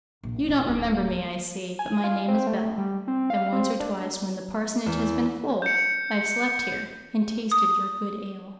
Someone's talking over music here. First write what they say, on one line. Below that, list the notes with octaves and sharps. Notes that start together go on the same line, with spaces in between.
You don't remember me I see, but my name is Bell, and once or twice when the parsonage has been full, I've slept here, and tasted your good ale.'
A#1
E4
D1
G#5
F4
C4
A3
G3
C4
F5
C4
D4
E2
G6 C#7
D#6